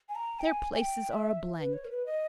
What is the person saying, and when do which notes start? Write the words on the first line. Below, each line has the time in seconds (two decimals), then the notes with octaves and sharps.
Their places are a blank.
0.09 G#5
0.15 A#5
0.39 G5
0.46 G#5
0.73 G#5
0.78 G5
1.10 E5
1.58 B4
1.73 C#5
1.85 A#4
1.90 B4
2.06 D#5